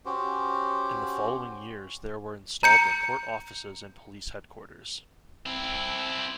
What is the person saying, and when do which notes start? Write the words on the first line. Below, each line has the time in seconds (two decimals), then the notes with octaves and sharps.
In the following years there were installed the court offices and police headquarters.
0.06 C#4 F#4 G4 C5
2.63 A#5 G6 C#7
5.46 C4 E4